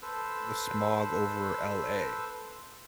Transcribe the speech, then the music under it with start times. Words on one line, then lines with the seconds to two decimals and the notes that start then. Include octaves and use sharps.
the smog over LA.
0.02 A4 B4 C5 E6